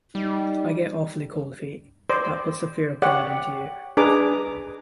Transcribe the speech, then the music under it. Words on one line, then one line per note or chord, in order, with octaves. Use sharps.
I get awfully cold feet. That puts the fear of God into you.
G3 D#4
C5 D5
G4 C#5 D5 F#5
D4 G#4 B4 G#5 A#5 D6